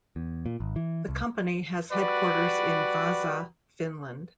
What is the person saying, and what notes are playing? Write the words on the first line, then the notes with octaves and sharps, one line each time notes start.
The company has headquarters in Vaasa, Finland.
E2
A#2
G#1
E3
C2
G3 F#4 B4 D5